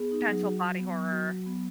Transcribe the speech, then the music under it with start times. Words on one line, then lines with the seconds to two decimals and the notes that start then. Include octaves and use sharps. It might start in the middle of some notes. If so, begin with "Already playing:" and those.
potential body horror.
Already playing: B3 G#4
0.11 D#4
0.27 F#3
0.45 F#4
0.62 F#3
0.79 B3
0.95 F#3
1.11 F#4
1.29 F#3
1.46 B3